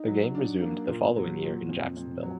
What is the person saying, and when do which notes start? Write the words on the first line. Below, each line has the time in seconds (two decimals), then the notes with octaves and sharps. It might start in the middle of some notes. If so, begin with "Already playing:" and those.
The game resumed the following year in Jacksonville.
Already playing: D#4
0.08 F#3
0.35 D4
0.62 A#3
0.88 A#2
1.16 F#3
1.43 A#2
1.69 F2
1.97 F2
2.23 F#3